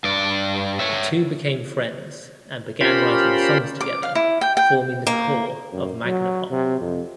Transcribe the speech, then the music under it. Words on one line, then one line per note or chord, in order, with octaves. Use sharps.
The two became friends and began writing songs together, forming the core of Magnapop.
G2 D5
C#5 E5
C#4 F4 G4 A#4 C5 B5
D6
F5
E4
G5
G5
A#3
F#2
F#3
C3
F2